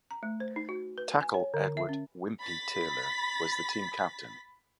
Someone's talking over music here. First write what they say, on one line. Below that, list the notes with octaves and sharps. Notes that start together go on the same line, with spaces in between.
Tackle Edward "Wimpy" Taylor was the team captain.
A#5
A3
C5
D#4
F#4
B4
G#5
C#5
D3
E5
C#4
B5 A6 B6